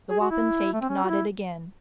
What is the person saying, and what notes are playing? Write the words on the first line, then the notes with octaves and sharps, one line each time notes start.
The wapentake nodded again.
G#4
F#4
E4
A3
C4
C#4
F#4
E4